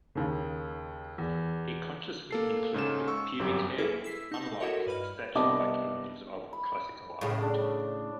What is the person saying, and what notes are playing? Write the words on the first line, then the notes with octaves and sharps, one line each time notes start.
He consciously included pubic hair, unlike the statue-like images of classical art.
D#2 C#3
E2
A#3 A4 C7
G#2 C#3 A4 E7
C#6 E6
G1 F#2 G4
A#3 E4 G#4 A4 B4
E6 B6 C7
D#4 A5
E4 F#4 A4 A#4 C#5 D#5
G2 B4 B5 F6
C2 B3 D4 D#5 A5 D6
B5
A2 C#3
D4